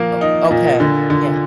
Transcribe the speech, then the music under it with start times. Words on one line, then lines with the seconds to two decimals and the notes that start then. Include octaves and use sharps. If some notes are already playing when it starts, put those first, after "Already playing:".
Oh, okay, yeah.
Already playing: A#2 F3 A#3
0.21 D#4
0.51 A#2
0.80 D3
1.10 D3